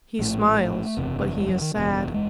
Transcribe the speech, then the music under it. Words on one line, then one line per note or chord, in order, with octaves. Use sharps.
He smiles, but he is sad.
A#1 A2 A3
F#1 E2 C3
G#3
F#3
D#3
F#1 E2 B2
G#3